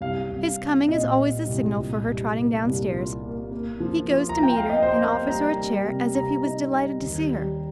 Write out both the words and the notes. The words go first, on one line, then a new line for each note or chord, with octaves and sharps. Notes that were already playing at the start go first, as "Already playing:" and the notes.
His coming is always the signal for her trotting down stairs; he goes to meet her and offers her a chair, as if he was delighted to see her.
C2 F5
C2
C4
A#2 D#5
C4
C2
A#2
C2
A#3
C2
F4
A#3
A#3
F3
F4
A#5
F4 G5
F5
A#3 D#5
C5
A#3
G3 A#5
G3
C3
C3 A#5
D#4
G3
D#2
G3